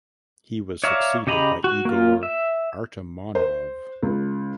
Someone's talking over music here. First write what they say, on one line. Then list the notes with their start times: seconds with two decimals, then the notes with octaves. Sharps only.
He was succeeded by Igor Artamonov.
0.84 C#5 D5 E5 F5 A#5
1.27 C#3 G4 D#5 A#5 B5
1.64 F#4
1.85 A#3 F4
2.23 E5
3.35 C5
4.03 C#2